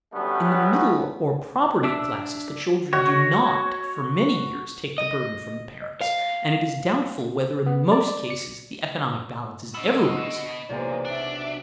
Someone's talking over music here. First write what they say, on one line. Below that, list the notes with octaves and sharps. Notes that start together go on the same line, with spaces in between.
In the middle or propertied classes the children do not for many years take the burden from the parents, and it is doubtful whether in most cases the economic balance is ever reestablished.
D3 F#3 G3 A3 B3 C#4
D4 D5 E5
F#4 C#5
D#5
F5
B3
D5
C#7
D3 B3 F#4 D#5 E6
B1 C3 E3 G#3 A#3 D5
D4 E5 D6